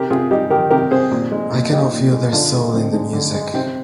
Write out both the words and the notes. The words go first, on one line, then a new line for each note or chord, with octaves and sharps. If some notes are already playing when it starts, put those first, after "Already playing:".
I cannot feel their soul in the music.
Already playing: C3 G4 A#4
C3 F4 G#4
G3 D#4 G4
D#3 G4 A#4
C3 G4 A#4
C3 G#4 C5
A#2
G#3
A#2
G#3 D#4 G4
A#2
G#3
D3 D4 F4
G#3
D3 C4
G#3 D4
D3
G#3
C3 C4